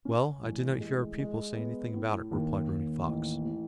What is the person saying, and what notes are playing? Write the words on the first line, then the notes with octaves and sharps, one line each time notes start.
"Well, I did not hear our people say anything about it," replied Running Fox.
C#4
A1
G#3
G#3
B3
A2
D#2
D#2
A1
A2